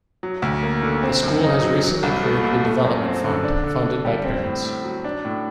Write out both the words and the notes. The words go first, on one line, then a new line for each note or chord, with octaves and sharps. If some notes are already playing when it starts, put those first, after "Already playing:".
The school has recently created a development fund, funded by parents.
F#3
D2
A#3
D3
C4
F#2
D#4
F#3
F#3
C2
A3
A#2
A3
F#2
C4
D3
D4
D3
D3
G3
C4
A2
A2
F#3
D4
A2